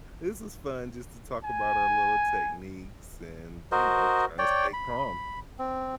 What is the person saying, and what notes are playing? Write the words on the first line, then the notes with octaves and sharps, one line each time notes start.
This was fun just to talk about our little techniques and, you know, trying to stay calm.
G#5
F#4 A#4 C5 D#5
C#5 D5 G5
B5
C4